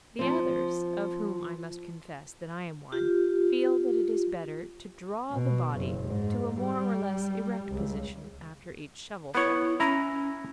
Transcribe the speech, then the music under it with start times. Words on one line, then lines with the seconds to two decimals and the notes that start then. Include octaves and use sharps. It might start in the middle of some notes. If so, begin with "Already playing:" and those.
The others, of whom I must confess that I am one, feel that it is better to draw the body to a more or less erect position after each shovelful.
0.19 F3 C4
2.92 F4 G4
5.32 B2
5.76 F#1
6.08 G#2
6.61 G3
7.71 C#2
9.35 B3 E4 C#5
9.80 C#4 E4 A#5